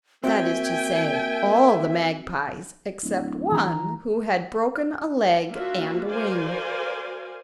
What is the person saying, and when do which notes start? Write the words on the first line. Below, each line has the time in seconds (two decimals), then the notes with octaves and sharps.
That is to say, all the magpies except one who had broken a leg and a wing.
0.24 A#3 C4 F#4 E5 G5 G#5
3.03 D1
3.52 E3 A#5
5.51 A#3 D4 F4 F#4 E5
6.08 F#4 A#4 C5 D5 F5 G#5